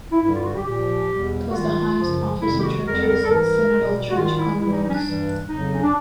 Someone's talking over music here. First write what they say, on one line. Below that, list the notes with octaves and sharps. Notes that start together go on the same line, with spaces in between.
It was the highest office in churches with synodal church governance.
E4
G2 D3 G3 E4
F4
F#4
G4
A#2 F3 G4
E2 B2 G3
F#4
G#2 D#3 G3 F4
F#2 C#3 F3
F2 C3 D#3 G3 E4
G4
F#4
F2 D3 G3 A#4
A4
A#4
A4
G#2 E3 G3 A#4
B2 G3
F#4
G#2 D#3 G3 F4
F4
E4
G#2 E3 G3 E4
D#4
D#4
C#4
D4
G2 E3 G3
F2 C#3 F#3 D#4
C#4
D4